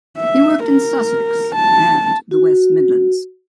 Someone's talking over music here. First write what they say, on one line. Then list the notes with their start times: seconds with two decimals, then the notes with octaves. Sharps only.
He worked in Sussex and the West Midlands.
0.17 E5
0.65 A#4
1.56 A5
2.31 F#4